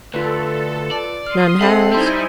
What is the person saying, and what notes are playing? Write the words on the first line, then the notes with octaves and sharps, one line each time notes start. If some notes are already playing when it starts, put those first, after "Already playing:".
"None has."
D2 F4 A4 B4
D5
C6 D#6 F6
C4 A4 E5 F#5 C7
G3 D#4 E4 C5 G#5 C6